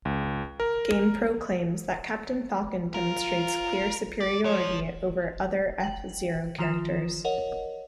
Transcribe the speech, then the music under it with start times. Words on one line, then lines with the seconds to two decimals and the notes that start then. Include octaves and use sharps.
GamePro claims that Captain Falcon demonstrates "clear superiority" over other F-Zero characters.
0.05 C#2
0.60 A#4
2.94 F4 A#4
4.21 D5
4.45 F3 C#5
5.80 G5 F#7
6.58 D#3 F3 F4 D#6 E7
7.25 A#4 C#5 D#5 F#5